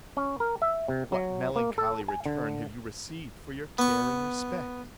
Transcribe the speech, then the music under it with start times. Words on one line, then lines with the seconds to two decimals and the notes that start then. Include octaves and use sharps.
What melancholy return have you received for your care and respect?
0.17 C#4
0.40 A#4
0.62 E5
0.88 C3
1.12 F#3
1.56 A#3
1.78 A4
2.08 G#5
2.26 D3
3.78 B3 C#6